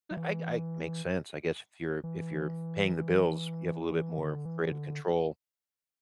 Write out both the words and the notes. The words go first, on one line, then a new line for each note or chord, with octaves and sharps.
i I I makes sense. I guess if you're if you're paying the bills, you have a little bit more creative control.
F#3
E3
E3
D3
E3
D3